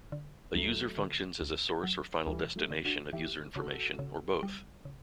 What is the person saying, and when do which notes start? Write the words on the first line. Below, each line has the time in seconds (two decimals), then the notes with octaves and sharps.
A user functions as a source or final destination of user information, or both.
0.12 D3
0.55 D2 F#3 A3
0.98 D3
1.41 D2
1.83 F#3
2.27 D2 E3 G3
2.56 F#3 A3
2.71 D3
2.85 D4 F#4
3.13 E3 E4 G4
3.56 C#3 F#4 A4
3.99 C#3
4.43 G3
4.85 C#3